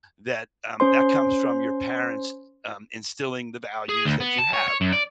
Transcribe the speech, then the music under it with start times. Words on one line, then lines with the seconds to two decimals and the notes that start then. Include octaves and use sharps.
that um, that comes from your parents, um, instilling the values that you have,
0.80 C#4 C5 C6
3.89 G#4
4.05 D2
4.20 B3
4.38 A5
4.53 C#5
4.68 C#5
4.81 F#2
4.92 D5